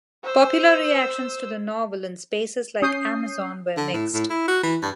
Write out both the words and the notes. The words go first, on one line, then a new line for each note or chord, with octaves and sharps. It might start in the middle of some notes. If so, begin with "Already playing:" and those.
Popular reactions to the novel in spaces like Amazon were mixed.
C5 E6
C#4 D#6 G6 C7
D3
A2
A2
E4
F#4
E3
G2